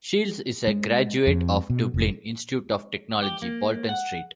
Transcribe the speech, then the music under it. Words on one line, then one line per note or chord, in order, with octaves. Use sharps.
Shields is a graduate of Dublin Institute of Technology - Bolton Street.
G#3
F2
B2
F1
G4
A#3
F#5